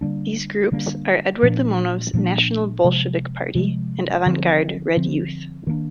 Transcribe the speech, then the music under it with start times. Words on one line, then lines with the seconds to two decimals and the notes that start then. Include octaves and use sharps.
These groups are Eduard Limonov's National Bolshevik Party and Avant Garde Red Youth.
0.01 D3 G3 A#3 D4
0.72 D3 G3 A#3 D4
1.43 A#2 F3 A#3 D4
2.13 A#2 F3 A#3 D4
2.84 C3 F3 G#3
3.55 C3 F3 G#3
4.26 D3 F3 C4
4.97 D3 F3 C4
5.67 D#3 A#3 D4